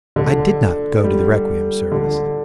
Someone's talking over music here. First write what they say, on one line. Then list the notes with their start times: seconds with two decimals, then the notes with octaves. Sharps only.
I did not go to the requiem service.
0.16 D3
1.04 G3
1.92 D3